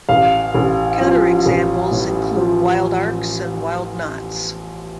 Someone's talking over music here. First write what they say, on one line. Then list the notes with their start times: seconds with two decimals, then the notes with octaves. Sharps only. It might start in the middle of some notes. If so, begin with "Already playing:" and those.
Counterexamples include wild arcs and wild knots.
0.09 A1 F5
0.54 A1
1.01 F3
1.46 A1
1.91 A2
2.37 F3